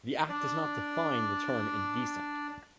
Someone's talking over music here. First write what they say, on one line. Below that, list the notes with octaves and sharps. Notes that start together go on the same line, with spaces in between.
The Act does not define the term 'indecent'.
D4 D5